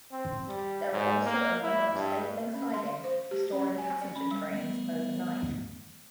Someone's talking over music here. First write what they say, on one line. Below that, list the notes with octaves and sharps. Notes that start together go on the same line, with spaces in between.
There are also a number of stabling sidings for storing passenger trains overnight.
C4
G3
G#2
A#3
E4
G2
C#4
C6
F5
C5
G4
C#4
G#5
D5
C#4
G3
G3 A3 B3